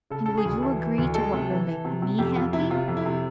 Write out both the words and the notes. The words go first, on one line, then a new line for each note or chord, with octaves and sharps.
"And will you agree to what will make me happy?"
C#3 A4
C#3 A4
G#4
D2
E3 A4
E3
D2
G#3 A4
C3
E3
E3
C3
C3
F2 G4
F2 F4
C3 E4
C3 F4
F2
E4
C3